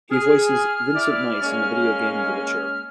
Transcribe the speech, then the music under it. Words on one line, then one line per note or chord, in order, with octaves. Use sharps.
He voices Vincent Meis in the video game "The Witcher".
G#4 F6
E4 D5
G#3 A#3 C#4